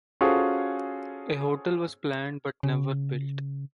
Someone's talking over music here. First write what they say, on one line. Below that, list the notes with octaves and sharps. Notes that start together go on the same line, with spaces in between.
A hotel was planned but never built.
C#4 F4 F#4 G#4 A4 C5
C#3